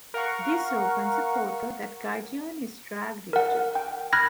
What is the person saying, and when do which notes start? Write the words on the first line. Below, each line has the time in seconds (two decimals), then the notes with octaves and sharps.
This opens a portal that Gideon is dragged into.
0.14 A#4 F5 F#5 C#6
3.33 A#4 F#5
3.75 G5
4.13 B5 F6 F#6 G#6 A#6